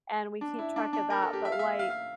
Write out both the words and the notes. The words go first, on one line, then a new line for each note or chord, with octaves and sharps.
and we keep track of that, but, like,
D4
E4
D4
D4
A#4
A4
G4
E5
F5
E5
F5
F5